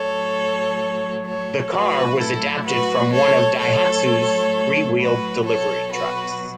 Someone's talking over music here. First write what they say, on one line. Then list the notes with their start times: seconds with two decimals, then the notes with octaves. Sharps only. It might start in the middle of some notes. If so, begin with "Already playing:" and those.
The car was adapted from one of Daihatsu's three-wheeled delivery trucks.
Already playing: A2 F#3 A4 C#5
1.25 A4 C#5
1.72 A2 F#3 F#4 B4
2.19 E4 A4
2.65 F#4 B4
3.12 A4 C#5
3.59 A2 F#3 A4 C#5
4.99 F#4 B4
5.45 B2 F#3 A4 C#5
5.92 F#4 B4